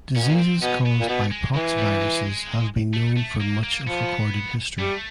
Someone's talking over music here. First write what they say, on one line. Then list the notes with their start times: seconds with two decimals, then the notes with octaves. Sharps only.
Diseases caused by poxviruses have been known for much of recorded history.
0.16 A#2 C#4
0.23 B2
0.30 A#2
0.38 C4
0.62 B2 C#4
0.86 B3
1.00 A#2
1.08 B2 A3
1.31 G#3
1.55 E3 G#3
1.78 G3
2.02 G#3
2.93 A3
3.17 A3
3.41 A#3
3.63 A#3
3.87 F3 B3
4.79 G3 A3